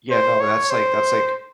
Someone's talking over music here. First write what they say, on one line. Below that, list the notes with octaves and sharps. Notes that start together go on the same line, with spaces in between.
Yeah, no, that's, like that's, like,
C5
C#5
C5